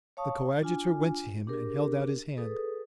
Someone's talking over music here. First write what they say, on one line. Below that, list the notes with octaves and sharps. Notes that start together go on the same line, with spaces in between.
The coadjutor went to him and held out his hand.
C#5 F5 A5 C#6 D#6
D4 F4 G#5
D4 G4 G#4 A#4
G#4 A4 B4 D#6